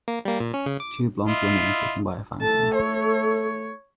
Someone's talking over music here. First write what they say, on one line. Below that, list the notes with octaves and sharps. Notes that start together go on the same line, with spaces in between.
Two blond women are sitting by a fountain.
A#3
G3 A#3
A#2
C#4
C#3
D6
E4 F4 D#5
A3 A4 A5
C#5